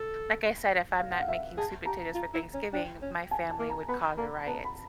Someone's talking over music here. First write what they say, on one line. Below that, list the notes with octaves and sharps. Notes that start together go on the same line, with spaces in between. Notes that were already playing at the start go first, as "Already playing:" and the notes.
Like I said, if I'm not making sweet potatoes for Thanksgiving, my family would cause a riot.
Already playing: A4
F5
F#5
F5
E5
G#4 A5
G4 A#5
F4
E4
C#4
D4 G5
C#4
G#5
A5
A#3
A#5
B3 B5
A#3 A#5
B3 A5
B5